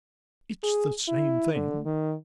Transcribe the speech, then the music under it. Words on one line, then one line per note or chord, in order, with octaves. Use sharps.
"It's the same thing."
G#4
E4
D3
D#3